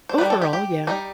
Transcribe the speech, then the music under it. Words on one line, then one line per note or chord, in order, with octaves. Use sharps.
overall, yeah,
C5
D#3 G3 C4 D#4 B4
A4
G4
G4
G3 D#4